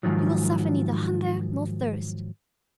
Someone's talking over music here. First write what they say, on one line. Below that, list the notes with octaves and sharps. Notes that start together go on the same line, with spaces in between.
You will suffer neither hunger nor thirst!
G#2 B2 D#3 F3 F#3